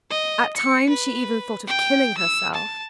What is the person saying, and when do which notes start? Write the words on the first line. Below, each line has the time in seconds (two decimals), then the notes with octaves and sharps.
At times she even thought of killing herself.
0.10 D#5
0.56 C#7
0.89 B4
1.67 G5
2.17 E6
2.54 A5